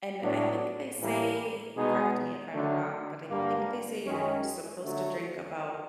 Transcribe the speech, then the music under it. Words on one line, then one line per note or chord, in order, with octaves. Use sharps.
And I think they say- correct me if I'm wrong- but I think they say you're supposed to drink about
A2 F#3 B3 D4
A2 E3 G3 A#3
B2 G#3 B3 D#4 G#4
D3 F#3 A3 D4
G2 D3 G3 A#3
F#2 D#3 G#3 C#4
D3 F#3 A3